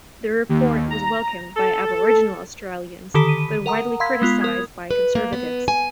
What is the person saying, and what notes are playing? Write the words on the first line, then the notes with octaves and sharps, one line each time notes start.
The report was welcomed by Aboriginal Australians but widely criticised by conservatives.
D#2
A#5
A4
D3 D#3 G4 A4 B5 B6
D#7
A#4 F#5 A#5 D#6
F5 B5 C6 E6 G#6 B6
G#3 B3 F4
A#4 D#6 G#6
B4
A#3
B3
G#5